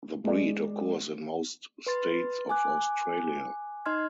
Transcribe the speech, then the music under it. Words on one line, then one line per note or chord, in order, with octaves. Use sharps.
The breed occurs in most states of Australia.
G#3 D5
B4 C6 A6
G#5 D6 F#6
D#4 D#5 C6 F6 G#6